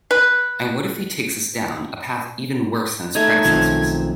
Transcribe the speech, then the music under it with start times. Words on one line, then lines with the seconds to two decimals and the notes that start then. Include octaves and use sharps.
And what if he takes us down a path even worse than his predecessor's?
0.11 B4
3.15 A3 D#4 G#6
3.45 B1 F#2 D#3 F3 C4